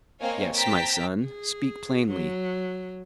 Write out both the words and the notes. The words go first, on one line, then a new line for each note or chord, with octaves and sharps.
"Yes, my son, speak plainly."
A#3 C4 C#5 D#5 F5 G#5
C5 G5 A5 A#5 B6
G#4
F#3